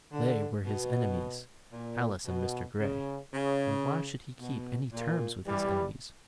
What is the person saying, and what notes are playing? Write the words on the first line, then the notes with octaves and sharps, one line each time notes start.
They were his enemies,--Alice and Mr. Grey,--and why should he keep any terms with his enemies?
D3
B2
A#2
B2
C#3
C#3
B2
A#2
E3 G3